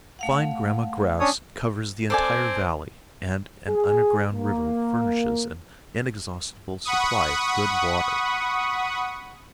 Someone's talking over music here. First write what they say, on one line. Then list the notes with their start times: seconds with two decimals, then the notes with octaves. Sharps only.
Fine gramma grass covers the entire valley and an underground river furnishes an inexhaustible supply of good water.
0.19 A3 F5 F#5
1.20 C#4 D4 C#5 D#6
2.10 C4 A4 D5 G#5
3.68 G#4
4.34 A#3
6.85 F#5 B5 C#6 D#6